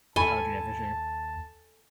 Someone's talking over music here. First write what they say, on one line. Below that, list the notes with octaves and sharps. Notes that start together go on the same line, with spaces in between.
Okay, for sure.
D#2 A4 G#5 A5 B5 C#6